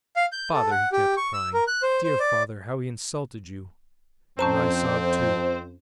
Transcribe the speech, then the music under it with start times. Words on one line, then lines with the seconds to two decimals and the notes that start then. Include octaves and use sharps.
'Father,' he kept crying, 'dear father, how he insulted you!' And I sobbed too.
0.16 F5
0.32 G6
0.53 A4
0.71 F#5
0.92 G4
1.17 C#6
1.34 E6
1.54 A#4
1.67 F#6
1.83 C5
2.04 C5
2.20 D5
4.39 F2 C4 C#4 C5 A5 A#5